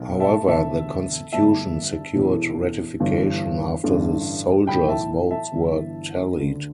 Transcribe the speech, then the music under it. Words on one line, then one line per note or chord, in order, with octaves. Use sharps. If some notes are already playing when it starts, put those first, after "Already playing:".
However, the constitution secured ratification after the soldiers' votes were tallied.
Already playing: B1 B2
E5 A5
E1 D2 D3 E5 A5
G1 G2 D3 E5 A5
E1 E2 E3
G1 G2 E3
A1 G2 D3
B1 A2 E3 G5 B5
E5 A5
E5 A5
G1 G2 E3
D2 D3